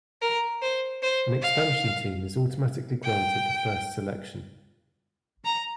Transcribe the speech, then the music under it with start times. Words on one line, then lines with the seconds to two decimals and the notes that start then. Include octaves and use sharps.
An expansion team is automatically granted the first selection.
0.22 A#4
0.62 C5
1.02 C5
1.42 F5
3.03 G5
5.45 A#5